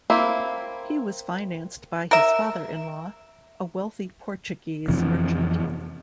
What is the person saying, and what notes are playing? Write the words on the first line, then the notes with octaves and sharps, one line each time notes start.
He was financed by his father-in-law, a wealthy Portuguese merchant.
A#3 C4 E4
A#4 E5
F2 C3 E3